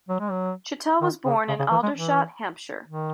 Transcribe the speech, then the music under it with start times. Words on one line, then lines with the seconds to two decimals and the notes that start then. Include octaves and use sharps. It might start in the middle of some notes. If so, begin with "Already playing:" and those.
Chittell was born in Aldershot, Hampshire.
0.09 F#3
0.20 G#3
0.31 F#3
1.01 D#3
1.25 C#3
1.48 C#3
1.59 C#3
1.71 E3
1.83 G#3
1.95 E3
2.88 D#3